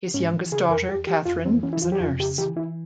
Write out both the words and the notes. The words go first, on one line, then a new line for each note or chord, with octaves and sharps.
His youngest daughter, Catherine, is a nurse.
G#2 C#4
E3
C#3 G#4
F2 A#4
E2 G4
E3 G4
F2 F4
E3 C4
E3 C#4
E4
E2 F4
G4
F2 F4
C#3 G4
E3 G4
E3 E4